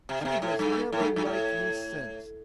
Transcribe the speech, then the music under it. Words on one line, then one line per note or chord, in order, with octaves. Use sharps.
She has never liked me since.
C3
D3
C3
A2
G2
A2
G2
G2
A2